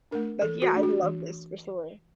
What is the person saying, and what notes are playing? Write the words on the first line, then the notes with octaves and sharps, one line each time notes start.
Like, yeah, I'd love this for sure.
A3 D4 A#4
E3 A4
F#4
A3 D4
F#4
E3